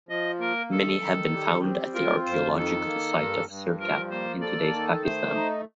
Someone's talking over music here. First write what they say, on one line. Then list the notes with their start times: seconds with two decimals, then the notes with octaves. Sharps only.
Many have been found at the archaeological site of Sirkap, in today's Pakistan.
0.09 F3 D#5
0.40 A#3 A#4
0.71 D#3 A4
1.02 D#3
1.32 G3
1.64 C4
1.94 F4 A#4
2.25 F2 C5
2.56 D#3 A4
2.87 A#3
3.18 G2
3.49 G2
3.79 F3 A#4
4.10 A#3 C5
4.41 A4 D5
4.72 D#3
5.04 A3 C5
5.34 D#4